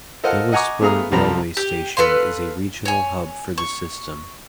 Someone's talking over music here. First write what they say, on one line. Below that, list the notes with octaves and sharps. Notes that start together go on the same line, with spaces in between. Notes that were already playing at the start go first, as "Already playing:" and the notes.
Bilaspur Railway Station is a regional hub for the system.
A4 A#4 C5 D#5 F5 F#5
D#5 F#5 G#5 A#5 C#6 D6
A3 B3 G#4 F5 A#5 D#6
C2 F2 F3 A#5 B5
G4
A4 B4 F5 C6
C#5 G#5
C#6